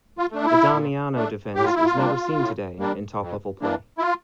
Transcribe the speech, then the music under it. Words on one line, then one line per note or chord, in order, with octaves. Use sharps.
The Damiano Defence is never seen today in top-level play.
F4
A3 D4
E4
A#2
A3 D4
A2 G4
F4
E4
F4
G3 A#3 D4
A2
G3 A#3 D4
F2
E3 A#3 D4
E4
F4